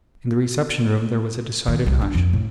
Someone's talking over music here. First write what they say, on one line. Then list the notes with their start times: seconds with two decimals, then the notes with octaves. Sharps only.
In the reception room there was a decided hush.
1.68 D#3
1.86 C2
2.02 D4
2.15 F2
2.33 A2